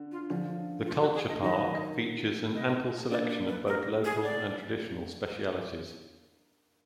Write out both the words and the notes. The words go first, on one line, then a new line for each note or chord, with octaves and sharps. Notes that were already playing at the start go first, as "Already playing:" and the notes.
The Culture Park features an ample selection of both local and traditional specialities.
Already playing: D3
F4
D3 F3
F4
F#4
G#4
D#5
D#3 F#3 D#5
D#5
A#3 D4 D5
D5
B4
A#4
G#4
D5